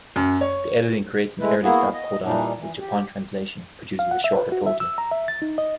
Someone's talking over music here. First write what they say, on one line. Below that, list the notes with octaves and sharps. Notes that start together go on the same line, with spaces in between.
The editing creates an early stop codon, which, upon translation, produces a shorter protein.
F#2
C#5
G#3 A3 E4 B4
A#3 B3 E4 F#4 G#4
D#5
A#2 E3 G3 D4 D#4
E3
G4
F5
F#5
E5
B4
F#4
E5
E6
A#5
E5
A6
D#4
D#5